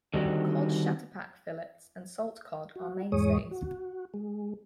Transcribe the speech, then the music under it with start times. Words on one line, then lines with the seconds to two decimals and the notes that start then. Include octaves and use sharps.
Cod shatterpack fillets and salt cod are mainstays.
0.14 D3 D#3 G3 C4 D#4 F#4
2.76 F#4
3.12 E2 G#2 G#3 C#5 D#6
3.51 F#4
4.14 G#3